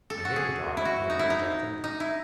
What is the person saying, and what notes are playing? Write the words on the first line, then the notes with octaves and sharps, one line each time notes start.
"I hate the dark," Amory objected.
A4
F#4
G#4
E4
F#4
D#4
E4
D#4
D#4
E4